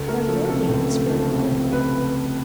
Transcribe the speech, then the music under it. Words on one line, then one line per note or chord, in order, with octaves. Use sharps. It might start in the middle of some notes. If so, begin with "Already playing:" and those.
Now, your name is fairly good.
Already playing: C#2 A4
A3 A#4
F3 A4
C3 A4
C#2
A3
F3
C3
C#2
A3 B4